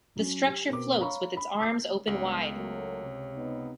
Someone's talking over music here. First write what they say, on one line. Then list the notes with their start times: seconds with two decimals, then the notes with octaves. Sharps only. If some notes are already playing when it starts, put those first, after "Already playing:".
The structure floats with its arms open wide.
0.16 F#3 C#4
0.47 G4
0.71 B2 C4 A#4 D6
0.99 C#5 F5 A#5 B5 C#6
1.37 B5
1.60 D6 G6 C7
2.07 C#2 G2 G3 G#3 B3
2.54 F#3 A3 A#4 C#5
3.01 C3
3.36 B3 D#4